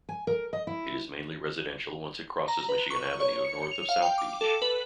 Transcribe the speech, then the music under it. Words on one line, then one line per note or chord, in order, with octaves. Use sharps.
It is mainly residential once it crosses Michigan Avenue north of South Beach.
G#5
A#4
D#5
E4
A#5
B4
C#6
C#5
C#7
F7
F5
G5
D6
A4
B4